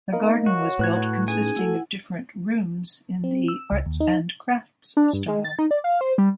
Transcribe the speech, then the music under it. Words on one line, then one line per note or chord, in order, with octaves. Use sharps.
A garden was built consisting of different "rooms" in the Arts and Crafts style.
A#3 B3 D#4 A#4 D#5 F5
F#4 C#5 C#6
A2 B4 F#6 G#6
C#4 D#4 G#4 G#5
A3 E4 F#4 A4 F#5
C4
E6
C#2
D#2
D#4
D4
G2
G#3
A6
D#4
D5
F5
C5
G3